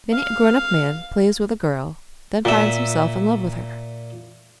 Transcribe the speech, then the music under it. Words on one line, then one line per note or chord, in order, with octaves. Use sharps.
Many a grown up man plays with a girl, then finds himself in love with her.
F5
A#2 E5